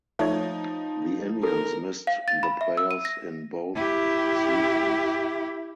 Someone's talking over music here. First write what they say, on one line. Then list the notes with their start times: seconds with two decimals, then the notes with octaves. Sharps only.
The Indians missed the playoffs in both seasons.
0.19 F3 A3 D#4 C#5
1.43 A4 A#4
2.07 F5
2.28 A6
2.43 B5
2.61 E5
2.77 E6
2.91 D#7
3.05 A#6
3.75 E4 G4